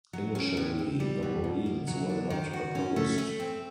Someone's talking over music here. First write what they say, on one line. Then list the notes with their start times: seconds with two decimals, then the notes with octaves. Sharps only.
Initially, the Marines were not opposed.
0.13 F#3
0.35 C#4
0.57 A2
0.79 C4
1.00 G3
1.23 B2
1.44 B2
1.66 A#3
1.87 F#3
2.10 D4
2.30 D#3
2.53 F#4
2.75 C#4
2.96 A3
3.18 A3
3.40 C4